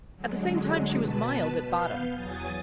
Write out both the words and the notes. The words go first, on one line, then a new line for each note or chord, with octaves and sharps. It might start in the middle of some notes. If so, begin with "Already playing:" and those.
At the same time she was mild at bottom.
D3 F#3 G#3
B2 B4 A5
B3 F5 G6
E2 F#3 G#5 D#6 A6